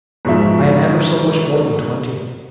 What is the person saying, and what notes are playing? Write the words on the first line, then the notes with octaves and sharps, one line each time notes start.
I am ever so much more than twenty.
G#2 B2 F3 E5